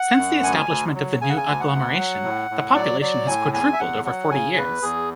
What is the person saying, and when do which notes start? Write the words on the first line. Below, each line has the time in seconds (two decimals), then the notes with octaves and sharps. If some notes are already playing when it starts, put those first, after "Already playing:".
Since the establishment of the new agglomeration, the population has quadrupled over forty years.
Already playing: F#5
0.17 F#2
0.43 D2 G#5
0.69 D2
0.94 F#3
1.21 C#3 G#5
1.29 F#5
1.37 G#5
1.47 D2
1.60 F#5
1.72 D2
1.98 F#3
2.24 A2
2.51 A2
2.76 F#3 D5
3.01 F#3 D5
3.28 A2 G#5
3.53 E2 G#5
3.73 E5
3.79 E2 F#5
4.05 F#3 F#5
4.31 C#3 G#5
4.57 E2 B4
4.82 E2 G#4